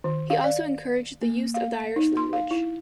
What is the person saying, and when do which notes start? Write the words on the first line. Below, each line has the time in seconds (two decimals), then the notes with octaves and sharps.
He also encouraged the use of the Irish language.
0.04 D#3
0.30 F5
0.44 D5
1.22 A#3
1.54 F5
1.96 D#4
2.17 C6
2.33 F5
2.51 E4